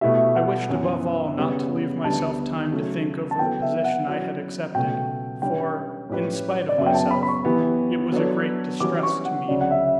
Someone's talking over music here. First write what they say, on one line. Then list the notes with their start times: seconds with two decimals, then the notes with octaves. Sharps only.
I wished above all not to leave myself time to think over the position I had accepted, for, in spite of myself, it was a great distress to me.
0.01 B2 A3 E4 G4 E5
0.35 F#5
0.69 F#2 E3 B3
1.36 C#3 G3 B3
2.04 D2 D3 G3 B3 D4 A5
2.72 C#3 F#3 A3
3.31 A5
3.39 F#3 B3 E4 A4 G5
3.62 E5
3.84 F#5
4.07 F#3 C#4 E4
4.75 C#2 B2 A3 G5
5.42 D3 G3 C#4 G5
6.09 A2 G3 C#4 G4 B4
6.68 D5
6.77 F#2 C#3 F#3 B3 E5
6.86 G5
6.94 A5
7.11 B5
7.23 B5
7.28 C#6
7.45 E3 B3 E4 G4
8.12 F#3 B3 D4 A4 C#5
8.80 E3 G3 C#4 F#4 D6
9.03 C#6
9.25 F#5
9.47 D2 C#3 F#3 D5
9.61 F#5
9.71 E5